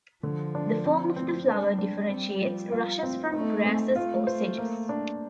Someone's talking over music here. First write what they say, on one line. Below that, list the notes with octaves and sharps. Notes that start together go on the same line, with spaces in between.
The form of the flower differentiates rushes from grasses or sedges.
D3 F3
D4
C4
C4
G3 D4
D4
C4
F3
F4
C4
A3 D#4
C4
A3 F4
C5
A#3
D4